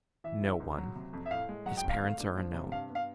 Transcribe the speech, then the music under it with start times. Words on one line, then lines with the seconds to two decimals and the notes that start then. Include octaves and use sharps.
"No one; his parents are unknown."
0.24 E3 E5
0.42 G#2
0.60 C#2
0.78 F#3
0.95 C3
1.13 F2
1.26 E5
1.31 A2 F5
1.49 G#3
1.66 F#3 F#5
1.77 G5
1.84 G#1
1.89 F5
2.02 A3
2.19 D4
2.37 F3
2.54 C3
2.72 G2 F5
2.90 B3
2.95 F5